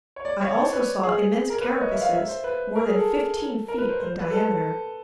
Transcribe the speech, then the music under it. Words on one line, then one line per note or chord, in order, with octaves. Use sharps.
I also saw immense carapaces more than fifteen feet in diameter.
C#5
D5
C#5
C5
B4
G#4
A#4
B4
C#5
D#5
E5
F5
E5
C5
B4
A#4
G#4
A4
A#4
B4
C5
C5
C5
B4
A4